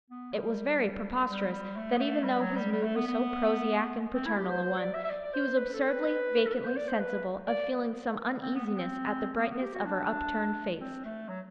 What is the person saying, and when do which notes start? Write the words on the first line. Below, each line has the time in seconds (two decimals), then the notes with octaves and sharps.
It was very preposterous, that even though his mood was so prosaic and paternal a one, he was absurdly, vacantly sensible of feeling some uneasiness at the brightness of her upturned face.
0.10 B3
0.33 G3
1.29 G3
1.52 G3
1.76 A3
1.95 B3
2.00 A3
2.24 G3
2.40 F#3
2.56 G3
2.71 G3
2.83 A3
2.96 B3
3.08 B3
4.14 C4
4.26 E4
4.38 G4
4.50 C5
4.62 C5
4.78 D5
4.94 E5
5.04 E5
5.09 D5
5.24 D5
5.34 C5
5.57 B4
5.73 A4
5.88 B4
6.47 A4
6.53 B4
6.65 C5
6.76 D5
6.88 C5
7.00 B4
7.47 D5
8.42 C4
8.55 B3
8.66 B3
8.78 C4
9.37 B3
9.50 B3
9.62 G4
9.74 F#4
9.86 D4
10.81 C4
11.04 A3
11.29 F#3